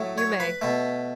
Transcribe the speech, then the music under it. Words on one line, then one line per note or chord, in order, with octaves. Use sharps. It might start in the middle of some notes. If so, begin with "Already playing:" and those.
"You may."
Already playing: A2 F#3 A3
C#5
B4
B2 A3